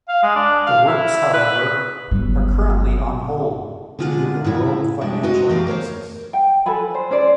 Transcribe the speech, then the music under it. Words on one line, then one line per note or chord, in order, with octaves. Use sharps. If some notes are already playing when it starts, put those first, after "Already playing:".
The works, however, are currently "on hold" due to the world financial crisis.
F5
G#3
D4
F5
E4
B4
G1 F#3
D3 G#3 F4 D#5 F#5
A2 C#3 E4
G3 G#3 D4
F#4 B4 C5 D#5 E5
A3 A#3 G4 F5
A#4 C5 C#5 F5
G5
A4 B4 G#5 B5
B4 C5
C#4 C5 D5